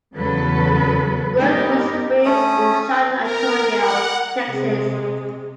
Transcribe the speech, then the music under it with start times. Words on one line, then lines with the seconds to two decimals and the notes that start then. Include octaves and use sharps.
Grote was raised in San Antonio, Texas.
0.15 E2 C#3 F#3 A4 B4
1.38 B3 D#4 G4 A#4
2.25 A3 C#4 D#6
3.22 A#4
3.77 F#5
4.47 C3 G#3